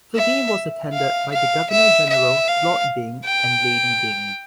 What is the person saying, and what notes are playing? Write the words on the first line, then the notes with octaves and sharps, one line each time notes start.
The game was attended by the Governor General Lord Byng and Lady Byng.
E5
F5
F5
E5
E5
F5
G5